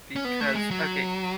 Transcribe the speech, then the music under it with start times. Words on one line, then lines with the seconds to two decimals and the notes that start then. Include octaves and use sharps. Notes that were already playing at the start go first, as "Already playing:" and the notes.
because okay
0.16 C#4
0.25 B3
0.40 A3
0.55 G#3
0.71 F#3